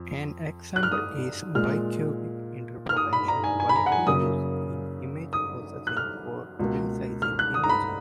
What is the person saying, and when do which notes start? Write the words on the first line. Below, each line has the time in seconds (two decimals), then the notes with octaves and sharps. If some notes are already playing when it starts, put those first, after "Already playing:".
An example is bicubic interpolation, widely used in image processing for resizing images.
Already playing: F2
0.76 F#6
0.83 F6
0.92 D#6
1.55 A#2 G#3 F6
2.89 F6
2.97 D#6
3.13 B5
3.28 A#5
3.44 G#5
3.60 G#5
3.69 B5
3.76 A#5
3.86 F#5
3.92 G#5
4.06 F#2 C#3 F#3 A#3 D#6
5.33 D#6
5.87 F#6
5.97 F6
6.59 C#2 B2 A#3
7.22 F6
7.39 F#6
7.54 D#6
7.64 A#5
7.69 B5